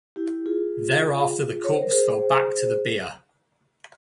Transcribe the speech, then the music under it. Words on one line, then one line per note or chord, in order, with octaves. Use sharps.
Thereafter the corpse fell back to the bier.
E4 G4
F4 G#4
C#5
C5
A#4
G#4 C5